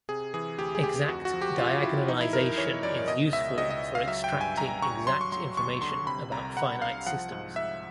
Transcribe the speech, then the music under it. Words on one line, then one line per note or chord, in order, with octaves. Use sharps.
Exact diagonalization is useful for extracting exact information about finite systems.
C3 G#4
E3 G#4
D2 G4
G#4
D2 G4
F2 F#4
F#4
F3
G4
C#3 F4
F3 E4
E3 D#4
E4
F#2 A#4
E3 C#5
F#2 D5
B2 D#5
C#2 E5
C#2 D#5
D#5
C#2
F5
F#3 E5
G5
G2
G#5
G2 A#5
G2 C#6
F#3 C6
C#6
F#3 C6
D#2 C#6
D3 C6
C3 B5
C2 A#5
C2 F#5
C2 F5
F3 F#5
G#2
G#2 E5